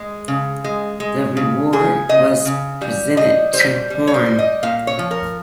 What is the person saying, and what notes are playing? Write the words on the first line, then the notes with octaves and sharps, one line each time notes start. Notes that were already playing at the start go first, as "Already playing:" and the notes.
The award was presented to Horne.
Already playing: G#3
C#3
G#3
G#3
C#3
C#3 G#4
C#3 D#5
C#3
G3
G3 D#5
G3 C5
G3
C#5
C5
G3
D#5
A#2 F5
C#5
F3
A#4